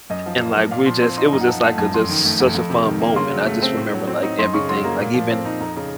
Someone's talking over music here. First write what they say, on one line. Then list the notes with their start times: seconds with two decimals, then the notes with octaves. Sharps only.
and like we just, it was just, like, a just such a fun moment, I just remember, like, everything, like, even
0.10 F#2 D#5
0.26 F3
0.40 A#3
0.56 F#2
0.71 A#2 F5
0.86 F3 C6
1.02 C4 C6
1.17 D#4 C6
1.33 F#2 A#5
1.41 F#5
1.48 F3 A5
1.63 A3 A5
1.78 F#2 A5
1.94 F2 C6
2.09 D#3
2.25 A3
2.40 F2
2.54 F2
2.70 C3
2.85 D#3
3.01 A#3
3.16 C#3 C6
3.31 F#3
3.46 A3
3.62 C4
3.77 A2
3.93 F#3
4.07 C4
4.23 D#4
4.38 F#2 C6
4.53 C#3 C#6
4.69 F#3 C6
4.84 A#3 A#5
4.99 A#2
5.14 F3
5.31 C4
5.45 D#4
5.60 F2 A#5
5.76 C#3